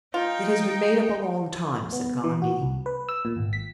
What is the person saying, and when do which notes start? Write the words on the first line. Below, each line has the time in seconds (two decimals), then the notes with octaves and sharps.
"It has been made up a long time," said Gondy.
0.14 D#4 F4 G5
1.92 B3
2.24 E3
2.42 F#4
2.62 C2
2.86 B4
3.09 E6
3.25 A#2
3.37 G#1
3.53 B6